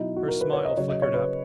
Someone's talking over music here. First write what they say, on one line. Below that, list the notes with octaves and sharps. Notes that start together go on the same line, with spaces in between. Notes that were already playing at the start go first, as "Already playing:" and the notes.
Her smile flickered up.
Already playing: B2 F#3 D#4 E4
F#4
A#4
B4
C#5
D#5
C#3 F#3 C#5
D#5
C#5
B4